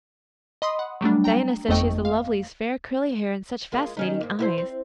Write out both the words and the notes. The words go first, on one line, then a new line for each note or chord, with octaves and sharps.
Diana says she has the loveliest fair curly hair and such fascinating eyes.
D#5 B5 C6 D#6
F#5
F#3 G3 A3 D4
G5 A#5
G1 F2 A3 D#5 G5 C#6
F5
G#3 A#3 F4
D#3 C#4 D#4
G#2 A#3
E4 F#4 C5
C4